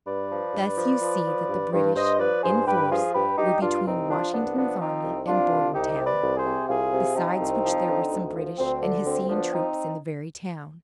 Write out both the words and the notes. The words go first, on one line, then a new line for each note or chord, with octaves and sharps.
Thus you see that the British, in force, were between Washington's army and Bordentown, besides which there were some British and Hessian troops in the very town.
G2 B4 D5
F3
G2
F3
F3
F3
G2
G2
G2 C5 D#5
F3 B4 D5
G2 G#4 C5
G2 G4 B4
F3 F4 G#4
G2 G4 B4
G2 D#4 G4
G2 D4 F4
C2 C4 D#4
F3 D4 F4
C2 B3 D4
F3 B3 D4
F3 C4 D#4
C2
C2 D4 F4
C2
C2 D#4 G4
C3
B4 D5
C2
G#4 C5
C3
C2 F4 G#4
C3
F3 C4 D#4
C2
F3
D3
D2
F3
D2 C4
D3
D2 C4
F3 B3 D4
C4 D#4